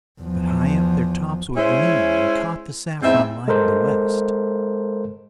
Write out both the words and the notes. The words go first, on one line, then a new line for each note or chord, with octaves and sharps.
But high up their tops were green and caught the saffron light of the west.
E2 F3
G#3 C#4 E4 C5
E2 G#2 C4 E5
G#3 A4 A#4 C5